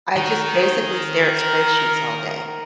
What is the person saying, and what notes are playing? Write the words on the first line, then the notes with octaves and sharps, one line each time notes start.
I just basically stare at spreadsheets all day.
D#3 F#4
G#4
A#4